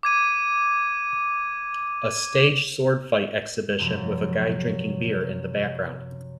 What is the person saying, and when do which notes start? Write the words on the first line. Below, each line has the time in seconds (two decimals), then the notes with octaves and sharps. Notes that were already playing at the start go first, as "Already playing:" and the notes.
A staged sword fight exhibition with a guy drinking beer in the background.
0.03 D6 G#6 D#7
3.79 F#2 C3 F3 F#3